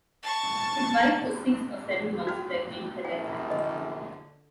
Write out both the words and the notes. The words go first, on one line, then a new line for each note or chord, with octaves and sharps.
His wife was six or seven months pregnant at the time.
A5 C#6
F#4 G5 F6 G#6
A#1 F#2 E4 G#5
D3 D#5